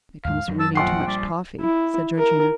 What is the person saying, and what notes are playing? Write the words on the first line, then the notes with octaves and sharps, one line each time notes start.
"It comes from eating too much toffy," said Georgina.
D#2 G#2 F5
F#2 D#3 F#3
A5 E6
A#1 F#5 G5 C6 C7
G3 D4
E4
A#4